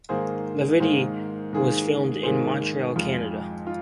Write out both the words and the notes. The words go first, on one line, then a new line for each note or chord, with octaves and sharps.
"Levity" was filmed in Montreal, Canada.
G#2 D#3 A#3 G#4 C5
G#2 D#3 A#3 G#4 C5
G#2 D#3 A#3 G#4 C5
G#2 D#3 A#3 G#4 C5
F2 F3 G#3 F4
F4